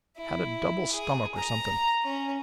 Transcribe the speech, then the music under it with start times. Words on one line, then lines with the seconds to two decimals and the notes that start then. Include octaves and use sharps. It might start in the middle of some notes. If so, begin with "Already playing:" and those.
Had a double stomach, or something.
0.17 E4
0.92 G#4
1.37 A#5
2.03 C#4